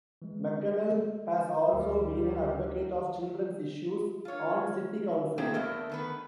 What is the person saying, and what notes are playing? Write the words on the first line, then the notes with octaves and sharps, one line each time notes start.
McConnell has also been an advocate of children's issues on city council.
E3 G#3
D2 G3 A#4
F4 C#5
C3 A3 A#3 G#4 C5 G5
E2 A3 A#4 D#5
D#3 B3 B4